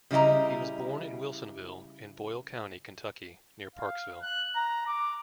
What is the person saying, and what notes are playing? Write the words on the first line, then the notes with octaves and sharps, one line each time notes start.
He was born in Wilsonville, in Boyle County, Kentucky, near Parksville.
C#3 G3 E4 D#5 A#5
F5
F#6
A#5
D6